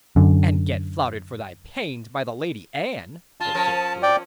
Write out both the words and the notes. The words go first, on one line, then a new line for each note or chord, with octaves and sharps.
"And get flouted for thy pains by the Lady Anne," said Kit Coo.
F#2 D3
C#3 F4 A5
F3 C#4 A#4
D5 G5